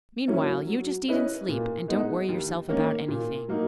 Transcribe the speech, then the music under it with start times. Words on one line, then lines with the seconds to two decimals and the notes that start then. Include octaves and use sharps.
Meanwhile you just eat and sleep, and don't worry yourself about anything.'
0.28 F#3 A#3 C#4 E4
0.67 F#3
1.08 C#4 E4 B4 D#5
1.48 A#2
1.88 G#3 B3 D#4
2.29 D#2
2.69 D#3 A#3 C#4
3.08 A#2
3.48 F#3 A#3 D#4